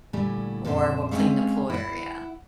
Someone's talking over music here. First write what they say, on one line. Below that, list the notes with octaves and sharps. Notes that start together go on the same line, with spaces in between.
or we'll clean the pool area.
A#2 D3 G3 A3 E4
F2 A#2 C#3 C5 E5
G#3 C4 C#4 C#5 E5 F5
E4 F#5